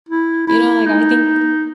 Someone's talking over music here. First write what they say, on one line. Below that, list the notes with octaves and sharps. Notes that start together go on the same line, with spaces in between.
you know, like, I think,
E4
E4
D#4